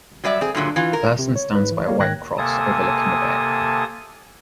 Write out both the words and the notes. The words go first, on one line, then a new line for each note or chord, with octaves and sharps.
A person stands by a white cross overlooking a bay.
F#3 G3 D5 E5
C4 G#4
G2 A#2 D3 F#3
E3 F4
A#4
C3
C#5
G#2 B4
E3
G3 A#3 C#5
G#2 D#3 G5 F#6 G#6 A#6
C3 A#3 A4 G#5 A5 D#6